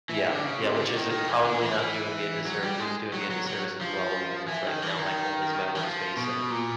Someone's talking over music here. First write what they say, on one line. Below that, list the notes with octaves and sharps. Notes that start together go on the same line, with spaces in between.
Yeah. Yeah. Which is i probably not doing me a disserv is doing me a disservice as well, because it's like, now my home is my workspace, and
E3
D3
C#3
C3
D3
D#3
D#3
E3
D3
E3
E3
F#3
G3
G#3
F#3
F#3
F#3
F3
E3
D#3
E3
D#3
E3
F3
B2
A#2